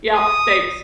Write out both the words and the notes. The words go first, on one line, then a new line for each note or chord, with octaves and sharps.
Yep. Thanks.
D#6